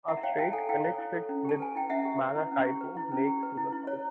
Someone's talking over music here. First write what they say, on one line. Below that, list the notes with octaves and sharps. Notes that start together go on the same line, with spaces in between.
A strait connects it with Maracaibo Lake to the south.
E4 E5 F#5
C#5 F5 G5
E4 G5 A5
A4 F#5 G#5
E4 F5 G5
C#5
E4
A4
C#4
G4 A5
B4 G#5
E4 G5
C#4 E5 F#5
G4
B4
E4
C#4
G4
B4
E4
C#4
G4
B4
E4
E4
C#5